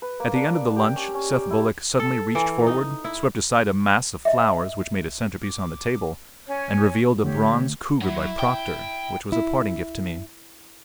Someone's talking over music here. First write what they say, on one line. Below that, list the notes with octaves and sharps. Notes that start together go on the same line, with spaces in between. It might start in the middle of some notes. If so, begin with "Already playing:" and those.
At the end of the lunch Seth Bullock suddenly reached forward, swept aside a mass of flowers which made a centerpiece on the table, and revealed a bronze cougar by Proctor, which was a parting gift to me.
B4
A#3
D4
D5
G4
C#4
C#4
D6
E4
A4
E3
D#4
E4
D#5 E5
D6
C#4 C#5 G#5
D3 A3 G4 C#5
F#3 E4
G5
E4